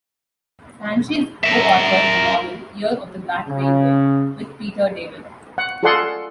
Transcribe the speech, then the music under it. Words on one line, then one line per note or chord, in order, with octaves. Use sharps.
Sanchez co-authored the novel "Year of the Black Rainbow" with Peter David.
A#4 E5
C#3
F#5
F4 G#4 A4 D5 F#5 C6